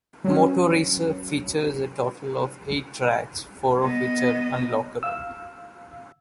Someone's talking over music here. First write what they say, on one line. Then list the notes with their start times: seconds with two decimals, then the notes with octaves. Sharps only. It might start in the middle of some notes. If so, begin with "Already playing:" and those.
Moto Racer features a total of eight tracks, four of which are unlockable.
0.24 F#3 C#4
3.82 B3 D#5
5.03 F5 E6